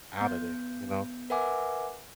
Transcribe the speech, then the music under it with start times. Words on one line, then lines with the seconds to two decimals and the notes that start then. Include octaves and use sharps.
out of there, you know?
0.17 B3 G6
1.30 A#4 B4 E5 F#5 G#5 D6